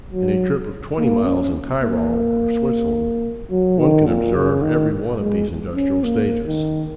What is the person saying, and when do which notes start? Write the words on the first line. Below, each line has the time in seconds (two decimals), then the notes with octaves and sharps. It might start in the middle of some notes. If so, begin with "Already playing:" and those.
In a trip of twenty miles in Tyrol or Switzerland one can observe every one of these industrial stages.
0.13 F#3
0.98 A#3
1.25 C#4
1.82 A#3
3.51 F#3
3.79 D#3
4.06 A#2
4.34 C#3
4.62 D#3
5.19 G#3
5.75 C#4
6.03 A#3
6.46 D#3